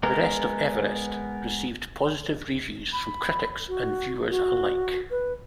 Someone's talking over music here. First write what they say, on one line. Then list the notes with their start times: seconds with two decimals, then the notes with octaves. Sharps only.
'The Rest of Everest' received positive reviews from critics and viewers alike.
0.03 G#3 B3 A#4
2.93 B5
3.68 F#4
4.30 F#4
5.10 B4